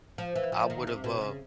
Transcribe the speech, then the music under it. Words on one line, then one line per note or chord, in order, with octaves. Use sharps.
I would 've uh,
F3
E3
F3
D#3
C3
B2
C#3